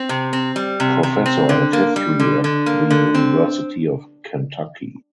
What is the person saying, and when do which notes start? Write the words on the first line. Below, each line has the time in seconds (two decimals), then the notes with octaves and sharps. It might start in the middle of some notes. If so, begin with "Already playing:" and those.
Professor of History at the University of Kentucky.
Already playing: C4
0.09 C3
0.33 C4
0.56 G3
0.80 C3
1.03 C3
1.26 C4
1.49 D3
1.73 A#3
1.96 G3
2.20 D3
2.44 D3
2.66 A#3
2.90 D3
3.15 C4